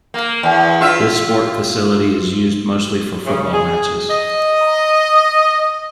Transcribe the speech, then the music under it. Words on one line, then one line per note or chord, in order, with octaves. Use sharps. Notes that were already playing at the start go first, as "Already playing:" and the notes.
This sport facility is used mostly for football matches.
A#3
E2
F4 E5
C#3
G#4
D#5